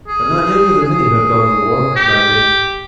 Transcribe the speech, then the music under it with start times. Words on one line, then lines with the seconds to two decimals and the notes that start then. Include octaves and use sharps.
"But not younger than many who have gone to the war," replied Dick.
0.08 G#4
0.83 G#4
1.96 G4